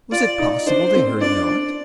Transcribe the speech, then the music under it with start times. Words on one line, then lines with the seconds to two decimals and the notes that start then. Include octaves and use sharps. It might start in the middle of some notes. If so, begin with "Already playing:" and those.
Was it possible they heard not?
0.12 F4 D5
0.39 D#4
0.66 D4 C5
0.94 C4
1.21 D4 D5